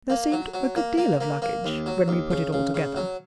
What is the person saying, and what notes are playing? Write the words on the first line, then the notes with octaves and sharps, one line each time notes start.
There seemed a good deal of luggage, when we put it all together.
A#3
F#3
F#3
A#3
A#3
A#3
A#3
D#2
F#3
D#2
C#3
C#3
C#3
F#3